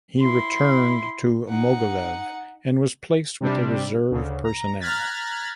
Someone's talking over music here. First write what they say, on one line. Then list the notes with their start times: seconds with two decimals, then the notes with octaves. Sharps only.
He returned to Mogilev and was placed with the reserve personnel.
0.20 E4 C6
1.49 D#4 F#5
3.41 C3 G3 D4
4.11 D2 C#3
4.44 A#5
4.80 A#5 F6 F#6 G#6 A6 B6